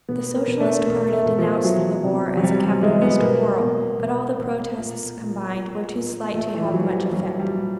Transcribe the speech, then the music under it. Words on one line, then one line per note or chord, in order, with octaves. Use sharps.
The Socialist party denounced the war as a capitalist quarrel; but all the protests combined were too slight to have much effect.
B2 B3
A#3
B2
A3
B2 A#3
A3
B2
F3
E3 F#3
C3
F#3
C3 G3
G3
E3 G#3
B3
B2 A#3
B2
B2
B2
A#2
A#2
A#2
A#2
A#2 A3
E3
F3
A#2 F#3
G3
A#2 F#3
G3
A#2